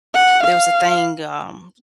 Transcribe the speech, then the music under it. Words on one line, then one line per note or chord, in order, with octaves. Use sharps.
there was a thing, um,
F#5
F5